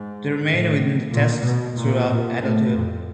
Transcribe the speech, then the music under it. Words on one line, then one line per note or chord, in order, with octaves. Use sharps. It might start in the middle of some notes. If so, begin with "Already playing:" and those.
They remain within the testes throughout adulthood.
Already playing: G#2
A2
A#2
B2
A#2
A#2
A2
F2